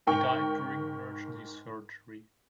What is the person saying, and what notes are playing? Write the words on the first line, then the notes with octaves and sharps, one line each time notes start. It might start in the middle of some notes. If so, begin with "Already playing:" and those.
He died during emergency surgery.
G#2 A#4 G5 C#6